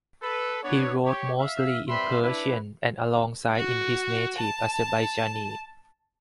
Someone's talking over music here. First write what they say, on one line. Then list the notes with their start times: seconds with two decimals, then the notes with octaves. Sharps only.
He wrote mostly in Persian and alongside his native Azerbaijani.
0.23 A4 B4
0.64 B3 D4 C#5
1.05 G4 C#5
1.39 E5 F5
1.89 G3 C4 B4 E5 B5 C6
2.22 D4 E4 B4
3.56 F#4
4.38 A5